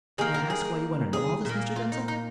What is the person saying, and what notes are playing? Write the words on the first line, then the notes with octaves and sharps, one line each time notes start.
"May I ask why you want to know all this, Mr. Denzil?"
D#3 A#3 G#4
A#4
G#4
G#4
A#2 A#3
F4
D#4
D#4